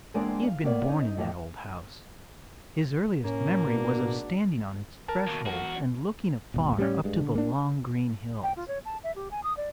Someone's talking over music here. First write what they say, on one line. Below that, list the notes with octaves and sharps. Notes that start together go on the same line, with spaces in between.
He had been born in that old house; his earliest memory was of standing on its threshold and looking afar up to the long green hills.
E2 G#3 A#3 C4 D4 D5
F5
A2 A#3 B3 C#5 D5
C#4 D#4
D#4
A2 E3 G3 A#4 D#5 F5
A2 A#3 C#4
G#1 B2 D4 F#4
A#4 A5
D#2 B2
E2 F#4
D#1 G#1 B2
A2 G3 C4 C#4
G2 G#3
D3
A#3 D4
G5
F4
C#5
A5
E5
G4
G#5
D#6
D5